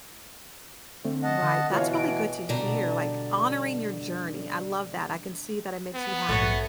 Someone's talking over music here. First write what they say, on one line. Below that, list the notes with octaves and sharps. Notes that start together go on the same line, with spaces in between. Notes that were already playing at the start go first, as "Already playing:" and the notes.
Right, that's really good to hear, like, honoring your journey, I love that, I can see that it makes you happy.
D3 A3 C4
D#5 F#5 A5
D3
B2 E3 F4 C#5 F5
D7
B2 D3 G3 D4 D5 A#5
B3
A#1 G#2 A3 F#4 C#5